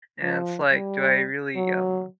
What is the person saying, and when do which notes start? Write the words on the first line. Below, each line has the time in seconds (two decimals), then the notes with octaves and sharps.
And, it's like, do I really, um,
0.22 F3
0.72 G3
1.56 F#3